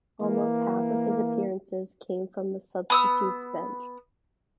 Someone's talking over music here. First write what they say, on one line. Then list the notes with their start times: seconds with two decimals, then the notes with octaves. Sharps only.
Almost half of his appearances came from the substitutes bench.
0.22 E3 A#3
2.90 B3 D#6 E6